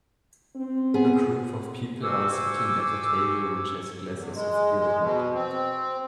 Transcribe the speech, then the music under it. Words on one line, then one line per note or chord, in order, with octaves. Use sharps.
A group of people are sitting at a table which has glasses of beer on it.
C4
B3 G#4
F#4 C5 G#5 C#6 D6 E6
E2
G#3
G#3
B2
C4